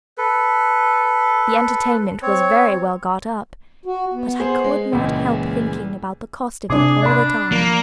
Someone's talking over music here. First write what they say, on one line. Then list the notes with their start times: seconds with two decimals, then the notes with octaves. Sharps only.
The entertainment was very well got up; but I could not help thinking about the cost of it all the time.
0.18 A4 B4
2.22 C4 C#5
3.85 F#4
4.13 B3
4.40 G#4 C5
4.64 G#3
4.93 C#2 A#2 E3 G#3
6.70 C3 D4 G#4 D6
7.03 D4 D5 B5
7.52 F3 A#3